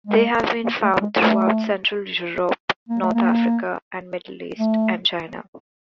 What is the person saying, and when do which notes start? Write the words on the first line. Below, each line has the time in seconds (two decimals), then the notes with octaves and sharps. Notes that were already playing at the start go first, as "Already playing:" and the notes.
They have been found throughout central Europe, North Africa, the Middle East and China.
0.07 G#3
0.64 A#3
0.83 A3
1.01 G#3
1.21 A3
2.89 A#3
3.02 A3
3.15 A#3
4.59 A3